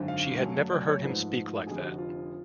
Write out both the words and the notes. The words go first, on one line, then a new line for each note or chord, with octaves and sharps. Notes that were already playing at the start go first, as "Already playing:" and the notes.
She had never heard him speak like that.
Already playing: G#1 F#2 D3
F5
F#2 C#3 F#3 A3 C#4
D5
C#5
G#2 F3 A3 B4
F1 F2 D3 G#4
F#4
F4